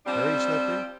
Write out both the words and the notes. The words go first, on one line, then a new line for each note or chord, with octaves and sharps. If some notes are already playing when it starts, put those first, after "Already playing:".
"Very slippery?"
F3 G3 C4 D4